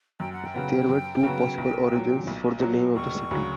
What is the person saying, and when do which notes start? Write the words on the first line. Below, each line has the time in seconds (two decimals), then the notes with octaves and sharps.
There are two possible origins for the name of the city.
0.20 F#2 G5
0.33 F#5
0.45 G5
0.54 C#3 F#3 B3
0.89 F#2
1.23 C#3 F#3 B3
1.58 B1
1.93 A#2 F#3
2.27 B1
2.61 A#2 F#3
2.95 E1 C#6
3.31 D2 C#3 F#3